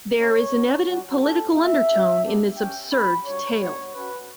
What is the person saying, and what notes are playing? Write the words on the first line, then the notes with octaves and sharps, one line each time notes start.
There is an evident political undertone in this absurd tale.
A3 C#4 G4 C#5
C#4 F#4
G3 C#4 F#4
C#4 E4 G4 A4
B3 E4 G4 E5
C#4 F#4
B3 D4 G4
C#4 G4 G5
C#4 G4 B5
G3 D4 F#4 C#5
G3 B3 D4 F#4 C#5
C#4 F#4 B4